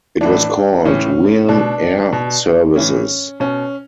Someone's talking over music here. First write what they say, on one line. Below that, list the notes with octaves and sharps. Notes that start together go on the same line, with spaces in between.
It was called Wearne Air Services.
A2 E3 D4
A2 E3 C#4
B2 D4
B2
A2 E3 C#4
B2 C#4